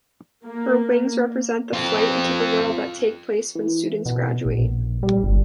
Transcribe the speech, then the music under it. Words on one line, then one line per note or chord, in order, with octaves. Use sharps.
Her wings represent the flight into the world that take place when students graduate.
A#3
C4 F4
E3
B2
A#1
G3
G1